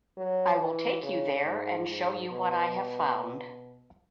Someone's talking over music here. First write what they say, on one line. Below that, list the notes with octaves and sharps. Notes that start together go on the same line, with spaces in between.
I will take you there and show you what I have found.
F#3
E3
C#3
G#2
G#2
B2